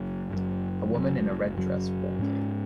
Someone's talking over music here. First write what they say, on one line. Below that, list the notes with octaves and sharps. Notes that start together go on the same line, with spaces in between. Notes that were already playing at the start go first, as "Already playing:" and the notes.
A woman in a red dress walking.
Already playing: F#1 F#2 F#3
F#1 F#2 F#3
F#1 F#2 F#3
F#1 F#2 F#3
G#2 G#3 C#4